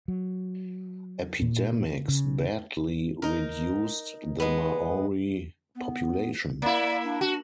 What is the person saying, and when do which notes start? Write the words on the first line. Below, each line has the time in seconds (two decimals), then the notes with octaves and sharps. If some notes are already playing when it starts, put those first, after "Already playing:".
Epidemics badly reduced the Maori population.
0.08 F#3
1.42 A#2
2.08 C#3
3.22 D#4 A#4
4.40 G#3 B3
5.76 B3
6.62 A#3 E4 D5
7.04 D4
7.21 F#4